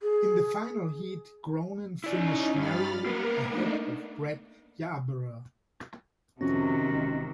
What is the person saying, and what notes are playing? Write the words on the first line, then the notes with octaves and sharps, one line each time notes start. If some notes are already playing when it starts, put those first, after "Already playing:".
In the final heat, Gronen finished narrowly ahead of Bret Yarborough.
G#4
C#4 D#4 E4 D5
G2 B5 F6 A6
A#3 B3 A#4 B4
A3 D4 D#4
F2 C3 D#3 C#4 F#4
G#1